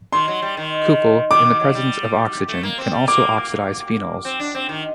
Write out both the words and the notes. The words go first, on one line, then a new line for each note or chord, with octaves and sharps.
CuCl, in the presence of oxygen, can also oxidize phenols.
D#3 C6
F#3
G3
D#3
D#3 D6
D#3
F#3
G3
A3
A#3
C4
G3
A#3 D6
C4
D4
C4
D#3